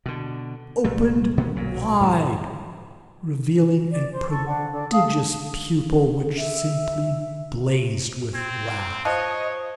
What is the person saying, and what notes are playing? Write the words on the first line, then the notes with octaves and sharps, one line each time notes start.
Opened wide, revealing a prodigious pupil which simply blazed with wrath!
B2 D3
C2 A#2 A3
B2 D#3 B3 C#4
B1 A#2 F#3
G#2 B2 D3 G#3
D5
C5
A4 C#6
D4 F#5
D4 A4
F5 A5 D#6
E5
C4 G#6
F3 C5 C#5 D#5 F#6